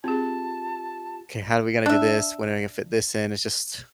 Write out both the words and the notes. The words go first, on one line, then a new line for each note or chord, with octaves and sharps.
Okay, how are we gonna do this, when are we gonna fit this in?” it's just
C4 F4 G4 G#4 A5
D4 E5